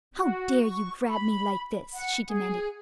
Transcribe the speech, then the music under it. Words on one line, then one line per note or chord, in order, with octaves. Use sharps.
"How dare you grab me like this?" she demanded.
F#4
C#6
B5
F#5
G#4